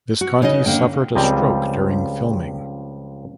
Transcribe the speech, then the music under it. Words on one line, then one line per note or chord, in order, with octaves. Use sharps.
Visconti suffered a stroke during filming.
F#4
C#3 D#4 B4 D#5
D3 A#3 G5
C#2 F3 G3 C4 D#5